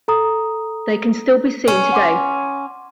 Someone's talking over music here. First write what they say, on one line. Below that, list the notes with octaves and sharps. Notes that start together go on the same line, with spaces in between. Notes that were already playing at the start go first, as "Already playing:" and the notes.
They still can be seen today.
A4 A#5 D#6
C#4 C#6
F#5 C6 D6